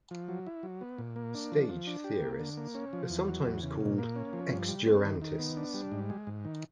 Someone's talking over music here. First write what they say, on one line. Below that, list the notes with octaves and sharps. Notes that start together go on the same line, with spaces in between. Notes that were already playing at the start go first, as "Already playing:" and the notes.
Stage theorists are sometimes called "exdurantists".
F3
F#3
E4
F#3
B3
A#2
A#3
D4
F3
F3
D4
G4
A#3
D3
A#3
C#4
F3
E2
F#3
E2
C#3
A#2
A#3
C#4
F3
G2
G3
C4
D#3
D#3
B3
D4
G3
G#2
G#3
G#2
D#3